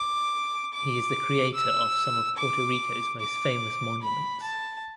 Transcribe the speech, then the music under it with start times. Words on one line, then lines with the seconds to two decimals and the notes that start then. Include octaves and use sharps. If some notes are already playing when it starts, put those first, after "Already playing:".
He is the creator of some of Puerto Rico's most famous monuments.
Already playing: D6
0.73 D6
1.55 E6
2.37 D6
3.20 D6
4.02 B5
4.42 A5